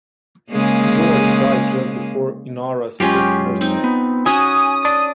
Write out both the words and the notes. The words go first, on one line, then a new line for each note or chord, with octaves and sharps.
George died just before Inara's fifth birthday.
C#3 G#3 A#3
F#2 G#3 C#4 F4 G4
C4 D#4
B3
C#4 F#4 G#5 D#6
D5 A5